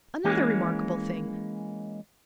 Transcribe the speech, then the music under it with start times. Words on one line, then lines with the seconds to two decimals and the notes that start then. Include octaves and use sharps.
Another remarkable thing.
0.24 E3 G#3 A#3 C#4